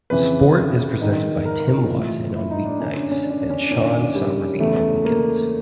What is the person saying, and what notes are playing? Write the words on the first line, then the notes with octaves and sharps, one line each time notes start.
Sport is presented by Tim Watson on weeknights and Sean Sowerby on weekends.
F2 C#3 E3 B4
G#2 D#3
A#4
F4
A2 E3
E4
D#4
D4
F#2 D3 C#4
D4
C#4
D4
C#4
D4
C#4
D4
F#2 D#3 C#4
D4
C#4
G3
E2 C#3 E3 A3
A#3